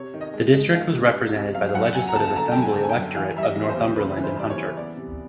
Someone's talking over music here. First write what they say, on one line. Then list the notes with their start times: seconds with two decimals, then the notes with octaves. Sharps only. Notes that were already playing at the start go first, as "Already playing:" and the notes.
The district was represented by the Legislative Assembly electorate of Northumberland and Hunter.
Already playing: C3 C#5
0.14 D#3
0.21 D#5
0.34 G#3
0.54 G#3
0.74 D#3 F5
0.94 C3
1.15 C3
1.35 C3
1.54 F#3 F5
1.69 F5
1.74 F#2 F#5
1.94 F#3 G#5
2.08 A#5
2.15 D3 A5
2.27 A5
2.36 D3 A#5
2.52 F#2 G5
2.62 G#5
2.76 D3
2.83 G#5
2.89 G5
2.95 F#2
3.15 E3 F5
3.37 G3 E5
3.43 D#5
3.55 E3
3.69 C5
3.76 D#2
3.96 C#3 B4
4.17 E3
4.24 C5
4.37 G3 D5
4.50 C#5
4.56 E3
4.77 B3 D5
4.97 C3